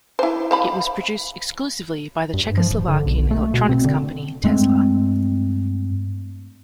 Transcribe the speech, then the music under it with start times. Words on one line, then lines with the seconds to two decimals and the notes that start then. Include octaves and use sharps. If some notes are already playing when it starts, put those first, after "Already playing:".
It was produced exclusively by the Czechoslovakian electronics company Tesla.
0.19 E4 C5
0.51 C5 F5 B5
2.34 G2
2.58 F3
2.71 D#1
2.88 D3
3.06 B1
3.31 A3
3.54 B2
3.69 C4
3.85 D3
4.44 G2 G#3 A3 C4